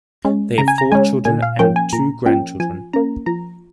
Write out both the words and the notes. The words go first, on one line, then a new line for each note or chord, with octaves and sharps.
They have four children and two grandchildren.
G#3 C#4
C#3 A#5
G#5
A#5
G#3 C#4 G#5
A#2 G#5
F5
F3 A#3 C#4 G5
G#5
A#2 A#5
F3 A#3 C#4 G5
F3 G#5
A#3 C#4 A#5
F3 A#5